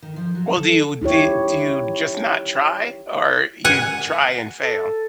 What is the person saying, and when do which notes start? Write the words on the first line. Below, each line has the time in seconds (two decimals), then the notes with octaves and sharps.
Well, do you d do you just not try or you try and fail?
0.02 D#3
0.16 F3
0.35 F#3
0.53 A4
1.01 D#4 E4 G4 C#5
3.64 F#5 G#5
4.61 A4